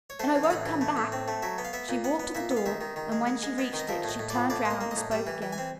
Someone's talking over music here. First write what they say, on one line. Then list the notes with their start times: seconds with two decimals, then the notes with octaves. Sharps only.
"And I won't come back!" She walked to the door and when she reached it she turned round and spoke again.
0.10 C#5
0.20 A3 C5
0.35 E3
0.43 F5
0.50 A2 F#5
0.66 E3
0.81 A3
0.97 A2
1.12 C4
1.28 A3
1.42 F#3 E5
1.58 B3
1.65 F5
1.73 B3 E5
1.89 A#2
2.04 B3 F#5
2.20 B3
2.35 A#2 E5
2.50 B3
2.57 F5
2.66 D#3 E5
2.81 D#3
2.96 D#3
3.12 G#3
3.27 G#3
3.43 G#3
3.58 B3
3.73 D#3
3.79 D#5
3.88 F3 E5
4.04 A2 D#5
4.19 A2
4.30 F3 D5
4.50 A2 D5
4.65 A#3
4.70 D#5
4.81 A#3
4.91 D#5
4.97 A2
5.11 G3 G5
5.27 E3
5.42 E3
5.53 G#5
5.58 C4